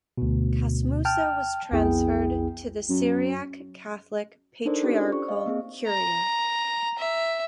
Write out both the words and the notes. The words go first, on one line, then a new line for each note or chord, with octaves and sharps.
Casmoussa was transferred to the Syriac Catholic Patriarchal Curia.
D2 B2
G5 A5 F6
B1 F2 B3 E4 G#4 G5
F#2
D4 D#4 A4 A#4 C5 D5
C#4 D4 F4 G4 A4 D5
C5 D5
C#6
D#5 F5
A#3 C4 G#4
A#5
E5